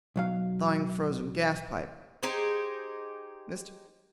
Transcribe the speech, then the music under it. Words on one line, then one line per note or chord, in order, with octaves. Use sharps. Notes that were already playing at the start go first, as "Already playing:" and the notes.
Thawing Frozen Gas Pipe.--Mr.
B1 F#3 F5
D#4 G4 G#4 C5